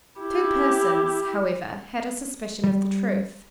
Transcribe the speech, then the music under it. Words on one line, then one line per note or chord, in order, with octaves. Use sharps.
Two persons, however, had a suspicion of the truth.
E4 G4
G3